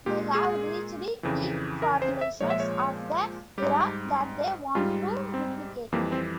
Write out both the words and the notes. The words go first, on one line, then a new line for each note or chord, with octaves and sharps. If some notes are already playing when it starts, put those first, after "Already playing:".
They have researched ink formulations of the era that they want to replicate.
A#2 G#3 G4
G#4
F2 C#3 E3
A#4
C5
E5
A#2 F3 G#3 C#5
E5
C#5
G#2 G3 G4
G#2 G3 F4
C4
F2 E3 G3 A#3
C4